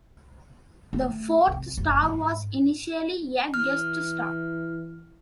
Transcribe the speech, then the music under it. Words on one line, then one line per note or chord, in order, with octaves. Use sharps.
The fourth star was initially a guest star.
A3
C2
F#1
G#2
E3 F6